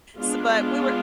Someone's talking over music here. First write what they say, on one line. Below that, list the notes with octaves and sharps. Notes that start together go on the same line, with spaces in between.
s but we were
G#3 B3 D4 F4